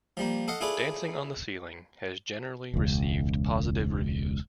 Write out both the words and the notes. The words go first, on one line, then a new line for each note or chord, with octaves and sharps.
"Dancing on the Ceiling" has generally received positive reviews.
F3 G3 A#3
A4 D#5 F5 F#5
E4 F4 G#4 A4 B4 D5
E1 C#2